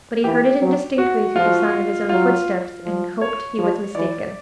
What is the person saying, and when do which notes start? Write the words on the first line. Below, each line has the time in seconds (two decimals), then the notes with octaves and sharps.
But he heard it indistinctly through the sound of his own footsteps, and hoped he was mistaken.
0.24 E3 G4
0.62 F#3
0.98 F#4
1.36 F3 F4
2.09 F#3 F4
2.84 F3
3.21 C#5
3.58 F3
3.95 E3 D5